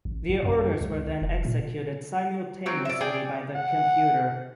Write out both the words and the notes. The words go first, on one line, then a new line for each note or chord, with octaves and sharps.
The orders were then executed simultaneously by the computer.
A1
A1
F#2
C#2
F1
A#2
F#3 C4
D5 E5
G#4 D5 G5
F#5